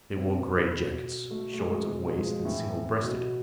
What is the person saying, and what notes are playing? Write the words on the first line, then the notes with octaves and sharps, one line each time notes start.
They wore gray jackets, short of waist and single-breasted.
B2 C4
B3
B2
B2 A3
A3
G#3
B2
G#3
F3
A2 E3
B2